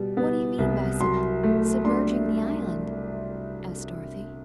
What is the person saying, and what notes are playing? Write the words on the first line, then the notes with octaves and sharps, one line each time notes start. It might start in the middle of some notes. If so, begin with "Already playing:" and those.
"What do you mean by sub-sub-merging the island?" asked Dorothy.
Already playing: B2 G3
B3
C2
F#3 C6
A3
D4 C6